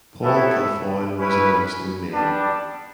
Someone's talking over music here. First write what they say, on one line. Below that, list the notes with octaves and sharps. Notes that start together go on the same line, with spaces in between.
Paul Guilfoyle was announced in May.
B3 E4 A4 C#5 E5
C#4 E4 B4
G3 B3 D4